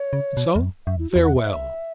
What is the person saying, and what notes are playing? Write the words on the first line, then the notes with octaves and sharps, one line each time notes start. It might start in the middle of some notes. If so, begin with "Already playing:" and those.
And so, farewell!
Already playing: C#5
C#3
B2
E2
F#2
F#2 E5
E2 E4
F#4
E2
F#5
E5